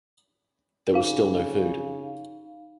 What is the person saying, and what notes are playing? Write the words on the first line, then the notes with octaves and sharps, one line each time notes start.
There was still no food.
C#3 D#4 F5